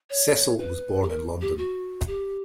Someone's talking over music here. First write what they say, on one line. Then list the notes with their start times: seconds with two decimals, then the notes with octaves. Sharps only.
Cecil was born in London.
0.10 C#5
0.59 B4
1.02 G4
1.09 A#4
1.41 G4
1.58 F#4
2.07 G4